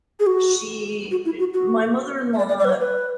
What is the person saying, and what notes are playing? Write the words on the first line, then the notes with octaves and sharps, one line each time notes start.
she eh, my mother-in-law
G#4
F#4
F#4
E4
F#4
F#4
E5
D5
D5
D5
B4
C#5
B4